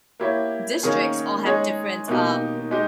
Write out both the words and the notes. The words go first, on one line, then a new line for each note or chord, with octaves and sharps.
districts all have different, um
A#3 E4 G4 C#5
D#3 A#3 C#4 G#4
G#3 D#4 G#4 C#5
B2 A#3 D#4 G4
G#3 D#4 G4